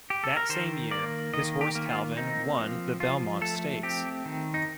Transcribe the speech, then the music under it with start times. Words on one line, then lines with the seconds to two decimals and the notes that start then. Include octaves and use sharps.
That same year, his horse Calvin won the Belmont Stakes.
0.10 G4
0.24 A4
0.36 A#4
0.49 D#3 C5
0.91 A#3 D5
1.34 D#3 D#5
1.61 G4
1.75 A#3
1.89 F4
2.17 C4 D#4
2.58 F3
3.00 F3 F4
3.41 A3 A4
3.83 C4 G4
4.26 D#3
4.54 D#4